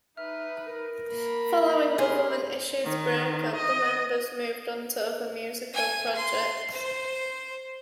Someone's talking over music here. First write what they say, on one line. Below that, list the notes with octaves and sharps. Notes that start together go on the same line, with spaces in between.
Following Government Issue's breakup the members moved on to other musical projects.
D#4 B4 E5 F6
A#4
A#3 B5
G4 G#4 C6 F6
D#3
D#5
G#5
C6
C5